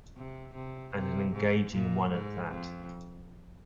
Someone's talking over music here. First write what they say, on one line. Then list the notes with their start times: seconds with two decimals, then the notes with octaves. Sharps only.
And an engaging one at that.
0.17 C3
0.55 C3
0.95 C3
1.34 G#2
1.73 A#2
2.11 G#2
2.51 F2